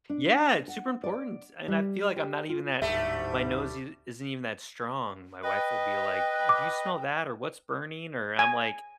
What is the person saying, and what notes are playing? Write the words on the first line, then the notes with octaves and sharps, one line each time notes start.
Yeah, it's super important, and I feel like I'm not even that my nose i isn't even that strong. My wife will be like, "D do you smell that or what's burning?" Or I'm like,
D4
F#5
D5
G3
G4
F4
D1 G#2 G3 A3 E5
B4 D#5 G5
D6
G#5